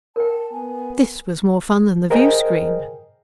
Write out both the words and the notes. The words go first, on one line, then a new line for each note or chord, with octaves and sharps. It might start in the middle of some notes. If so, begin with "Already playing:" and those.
This was more fun than the viewscreen.
A#4 G5 A5
B3 G#5
G#4 A#4 C5 D#5 G5 G#5